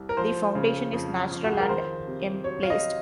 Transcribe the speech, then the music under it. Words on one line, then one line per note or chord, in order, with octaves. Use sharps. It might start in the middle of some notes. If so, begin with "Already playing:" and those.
The foundation is natural and emplaced.
Already playing: C2
A#4
F3 C5
C#3
F2
F2
F#4
G#4
A#4
D#3 C5
C3
F#3 C#5
F5
D#5